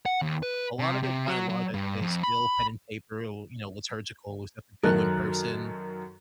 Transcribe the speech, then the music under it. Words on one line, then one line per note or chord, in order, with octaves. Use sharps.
a lot of it, by and large, I'd say is still pen and paper or, you know, liturgical, we still have to go in person,
F#5
D#2
B4
C3
C3
F#3
F#3
G2
F2
B5
F#2 D#3 F#3 A4 A#4 F#6